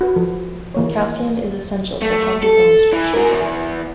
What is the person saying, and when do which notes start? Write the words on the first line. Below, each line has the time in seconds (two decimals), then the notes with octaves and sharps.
Calcium is essential for healthy bone structure.
0.01 F#4 B4
0.16 F3
0.74 E3 A#3 C#5
2.02 A3
2.43 A4
2.93 E3
3.14 F#4 A#4
3.31 E2